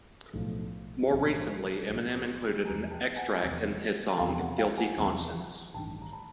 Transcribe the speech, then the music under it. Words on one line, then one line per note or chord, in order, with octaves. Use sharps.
More recently, Eminem included an extract in his song, "Guilty Conscience".
B1 A2 F3
B1 A2 F3
B1 A2 F3
E2 C3 F3 G#5 A#5
G5 A5
F#5 G#5
E2 C3 F3
E2 C3 F3 F5
F#5
F5 G5
F#5 G#5
E2 C3 F3
A1 G2 D#3 G5 A5
A#5
A5 B5